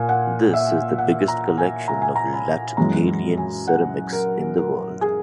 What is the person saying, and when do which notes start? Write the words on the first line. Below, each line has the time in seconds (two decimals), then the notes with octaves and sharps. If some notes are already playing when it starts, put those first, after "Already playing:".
This is the biggest collection of Latgalian ceramics in the world.
Already playing: A#2 G#5
0.09 F#5
0.54 E5
0.98 F#5
1.28 A#5
1.58 G#5
1.88 A#5
2.02 G#5
2.16 A#5
2.33 B5
2.77 F#2 E3 G#3 A#5
3.37 G#5
3.68 F#5
4.13 A#4
4.58 A#4
5.01 G#4